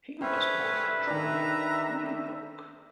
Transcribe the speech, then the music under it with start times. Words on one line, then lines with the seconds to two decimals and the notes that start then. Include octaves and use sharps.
He was born in Troy, New York.
0.22 D3 G3 C#4 B4 C5 E5 G5
1.07 D#3 D4 A#5